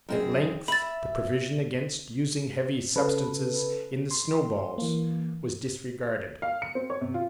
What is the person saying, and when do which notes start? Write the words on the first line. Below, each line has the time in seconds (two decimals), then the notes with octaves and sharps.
At length the provision against using heavy substances in the snow-balls was disregarded.
0.09 F#2 C4 G#4
0.68 E5 B5 A6
2.96 C#3 A4 B4
4.11 C6
4.78 E3 A#3
6.42 F5
6.62 C#7
6.75 C4
6.90 C#5
7.01 C3
7.14 F4